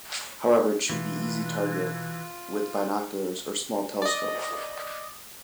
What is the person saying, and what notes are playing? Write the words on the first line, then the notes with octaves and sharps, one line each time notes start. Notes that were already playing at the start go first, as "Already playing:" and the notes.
However, it should be easy target with binoculars or small telescope.
B2 E3 F4
D5 D#5